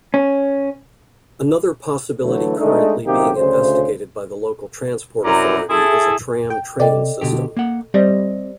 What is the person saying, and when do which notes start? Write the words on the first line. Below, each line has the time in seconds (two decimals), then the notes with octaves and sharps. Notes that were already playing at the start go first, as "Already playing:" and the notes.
Another possibility currently being investigated by the local transport authority is a tram-train system.
0.14 C#4
2.23 D3 E3 F#3 A3
2.59 G#3 A3 D4 D#4
3.06 F#2 C3 D#3 A#3 D#4 G4
3.36 D2 C#3 C5
5.24 F#2 C3 E4 D5 A#5
5.70 E4 G#4 A4
6.50 G5
6.80 C3 A4 D5 D#5 G5
7.21 B2 D3 G4
7.57 A#3 F#5
7.94 G3 C4 C5 D5 D#5